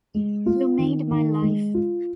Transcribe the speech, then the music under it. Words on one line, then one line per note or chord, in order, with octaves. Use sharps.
You made my life.
G#3
F4
D#3
D#3
G#3
F4